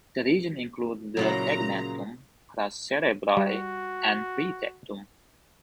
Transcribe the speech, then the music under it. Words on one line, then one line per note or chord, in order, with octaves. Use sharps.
The region includes the tegmentum, crus cerebri and pretectum.
A#2 C#3 F#3 E4 F#5 A#5
G3 F#4